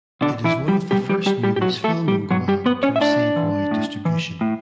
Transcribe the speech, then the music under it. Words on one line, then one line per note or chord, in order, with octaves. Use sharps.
It is one of the first movies filmed in Guam to receive wide distribution.
B2 D3 D4
E3 E4
G3 G4
B2 G3 G4
G3 G4
G3 G4
G3 G4
G4
B2 F#3 F#4
A3 A4
G3 G4
B2 F#3 F#4
G3 G4
B3 B4
C#4 C#5
E5
A2 D4 D5
E3
A2
E3
A2